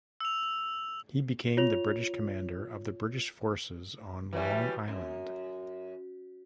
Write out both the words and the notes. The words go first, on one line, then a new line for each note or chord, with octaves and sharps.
He became the British commander of the British forces on Long Island.
E6 F7
F4 C#5 F7
E3 F#3 G3
F#2